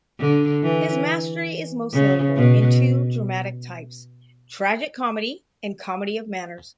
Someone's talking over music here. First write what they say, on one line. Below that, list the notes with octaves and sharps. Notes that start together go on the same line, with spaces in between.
His mastery is most notable in two dramatic types, tragicomedy and comedy of manners.
D3
E3
C#3
B2